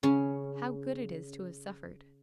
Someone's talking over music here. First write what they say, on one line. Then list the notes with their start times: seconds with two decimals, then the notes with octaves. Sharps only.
How good it is to have suffered!
0.03 C#3 C#4